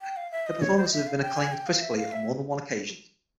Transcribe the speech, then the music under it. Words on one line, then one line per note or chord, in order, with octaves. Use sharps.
Her performances have been acclaimed critically on more than one occasion.
G5
F5
E5
D#5
C#5
C5
D#5
E5
F5
G5
G#5
G5
F5
E5
F5
E5